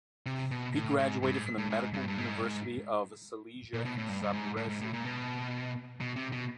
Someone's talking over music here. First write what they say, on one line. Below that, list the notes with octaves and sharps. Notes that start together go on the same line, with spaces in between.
He graduated from the Medical University of Silesia in Zabrze.
C3
B2
A2
G#2
G2
G#2
A2
G#2
G2
G2
G#2
G2
G#2
A#2
B2
A2
G2
G2
G#2
A2
G#2
A2
A#2
B2
B2
C3
B2